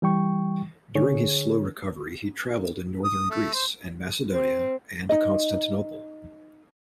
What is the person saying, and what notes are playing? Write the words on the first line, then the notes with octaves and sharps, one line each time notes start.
During his slow recovery he travelled in northern Greece, and Macedonia, and to Constantinople.
E3 G3 G5 C#6
D3 G#4 C#5
D#6
A3
C5
C4
D#4 D#5